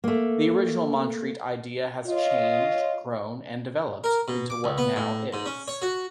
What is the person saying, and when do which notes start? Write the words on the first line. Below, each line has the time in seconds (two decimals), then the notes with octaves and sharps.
The original Montreat idea has changed, grown and developed into what now is.
0.04 A3 A#3
2.07 F4 C#5 D#5
4.04 A#4
4.28 B2
4.50 D6
4.64 C#2
4.78 B3
4.96 A2
5.33 G#2
5.46 C#4
5.68 C#5
5.82 F#4